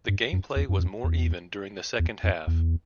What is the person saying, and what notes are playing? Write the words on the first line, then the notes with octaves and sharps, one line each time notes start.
The game play was more even during the second half.
G2
F#2
E2
F#2
F2
E2
E2
F2
E2